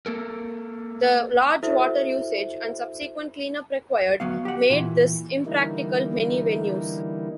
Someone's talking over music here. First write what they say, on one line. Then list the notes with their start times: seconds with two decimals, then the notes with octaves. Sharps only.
The large water usage and subsequent cleanup required made this impractical many venues.
0.06 A#3 A4 A#4
1.63 E4 F#4 A4 C5 E5
4.20 D2 F#3 B3 F5
4.45 G4 F#5
4.70 A#2 E3
5.46 D3 E3 G3 A#3 D#4 E4